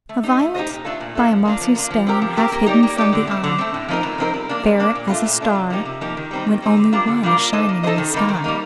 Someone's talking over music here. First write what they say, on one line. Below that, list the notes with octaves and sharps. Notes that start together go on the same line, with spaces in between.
A violet by a mossy stone Half hidden from the eye! --Fair as a star, when only one Is shining in the sky.
A3
D#4 G4 C5 D#5
A3
D#4 G4 C5 D#5
A#2
A3 D4 F4 A4
A#2
A3 D4 F4 A4
F3
A#3 D4 F4
F3
A#3 D4 F4
F3
C4 G4 A#4
F3
C4 G4 A#4
A#3
D#4 G4 D5
A#3
D#4 G4 D5
D3
A3 C4
D3
A3 C4
A2
F3 C4 D#4 A#4
A2
F3 C4 D#4 A#4
G3
A#3 D4
G3
A#3 D4
A#2
A3 D4 F4
A#2
A3 D4 F4
C3
F3 A#3 D#4 G4
C3
F3 A#3 D#4 G4
D#3
G3 C4 D#4
D#3
G3 C4 D#4
D3
G3 D4 F4 A#4
D3
G3 D4 F4 A#4
A#3
D#4 A4 C5 D#5
A#3
D#4 A4 C5 D#5
D#3
G3 A#3 D#4
D#3
G3 A#3 D#4